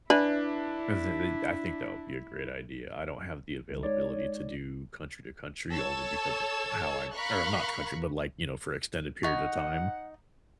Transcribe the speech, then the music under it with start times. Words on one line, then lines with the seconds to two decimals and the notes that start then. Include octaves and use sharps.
Listen they'd I think that would be a great idea. I don't have the availability to do country to country only because of how I'm er, not country, but, like, you know, for extended periods of time,
0.10 D4 E4 B4 D5 E5 G#5 B5
3.70 C#2 D3
3.83 G#3 D#4 C#5 D5
5.72 A4 C#5 A5 E6 G#6
7.12 A#4 F5 B5 C#6 F#6
9.23 D#4 F#5 C#6